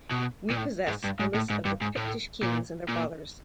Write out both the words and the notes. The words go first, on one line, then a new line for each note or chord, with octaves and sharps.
We possess a list of the Pictish kings and their fathers.
B2
A#2
A2
G#2
G2
G#2
A2
G#2
G2
G#2
A2
A#2
A#2